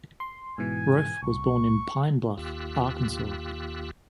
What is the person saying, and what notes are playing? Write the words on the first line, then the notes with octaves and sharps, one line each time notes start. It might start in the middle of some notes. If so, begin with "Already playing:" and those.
Roaf was born in Pine Bluff, Arkansas.
C6
G#2 B2 E3 G#5
C2 C#6
D#2 F4 G4 E6 F#6